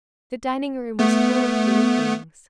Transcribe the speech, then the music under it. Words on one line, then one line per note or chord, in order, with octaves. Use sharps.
The dining-room was full of gay things.
A3 B3